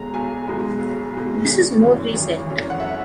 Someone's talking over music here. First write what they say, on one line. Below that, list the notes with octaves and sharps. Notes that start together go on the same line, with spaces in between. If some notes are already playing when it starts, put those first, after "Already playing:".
This is more recent.
Already playing: B1 B2 G#3 A#5
B1 G#5
B2 G#3
B1
B2 G#3
G#1
F#2 E3
G#1
F#2 E3
F#5
E5